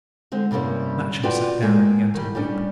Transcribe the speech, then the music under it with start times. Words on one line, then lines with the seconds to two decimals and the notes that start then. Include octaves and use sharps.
Matcham sat down and began to weep.
0.32 D3 G#3 C4
0.51 G2 C3 G3 A#3 C#4
1.23 F4 F#4 B4 D5 G5
1.62 G#3 A#3 G#4
2.14 D#3 G3
2.35 G3 C#4 D4